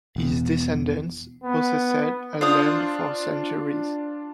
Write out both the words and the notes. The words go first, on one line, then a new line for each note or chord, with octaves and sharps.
His descendants possessed the land for centuries.
E1 E2
B3
D4 F4 C5 F5 D#6